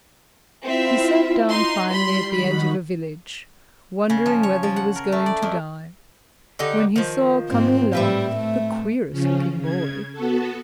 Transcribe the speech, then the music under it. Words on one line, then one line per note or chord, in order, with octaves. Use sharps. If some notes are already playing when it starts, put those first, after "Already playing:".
He sat down finally at the edge of a village, wondering whether he was going to die, when he saw coming along the queerest-looking boy.
C4 E4 F4 E5
D#4 C6
G3 B5 C6
D#3 D#4 F#4 B5
C#3
F3
C#5
F3
F#5
A#4
A3
D5
F2
D3 D#4 G4
D#3 F3
G#2 C4
A2 G3 C4 B4 E5
A3
C#3 F3 C#4
C#3 G#6
B3 F#4 A4